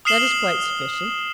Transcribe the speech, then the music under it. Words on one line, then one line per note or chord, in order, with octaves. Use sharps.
'That is quite sufficient.
D#6 F6 C7 E7 F#7 G7